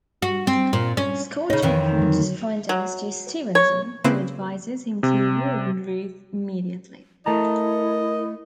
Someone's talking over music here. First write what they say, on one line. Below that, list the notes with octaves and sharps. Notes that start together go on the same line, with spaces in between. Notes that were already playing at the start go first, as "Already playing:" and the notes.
Scott reports his findings to Stevenson, who advises him to warn Ruth immediately.
F#4
C4
A#2
C#4
C#3 D#4 C#5
F2 D#3 E3
D3 F#3
F#3
C#5
C#3 A#3 C4 E4 B4 C5
C3
A3 E4 A#4 D#5 A5 A#5